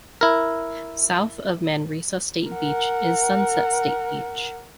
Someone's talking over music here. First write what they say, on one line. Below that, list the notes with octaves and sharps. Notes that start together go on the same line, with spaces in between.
South of Manresa State Beach is Sunset State Beach.
E4 A#4
A#4 F#5